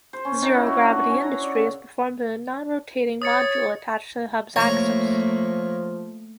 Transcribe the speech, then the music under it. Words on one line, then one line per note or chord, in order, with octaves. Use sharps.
Zero-gravity industry is performed in a non-rotating module attached to the hub's axis.
C5
C#4
D#3
E4
F#4
D4
F#4
C#4
A#5
D5
C#3
C#5 D#6 A6 C#7
F3 A3 A#3 C#5 A#5